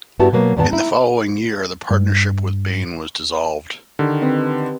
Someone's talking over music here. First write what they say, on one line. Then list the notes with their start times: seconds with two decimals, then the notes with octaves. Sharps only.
In the following year the partnership with Baine was dissolved.
0.19 G2 B3 E4 F#4 G4 A5
0.33 B2 F#3 A#3 B3
0.57 E2 G#2 D#3 B3 A5
0.71 D#4 E4
1.91 G2
3.99 D3 D#3 G4
4.21 C4 B4 D#5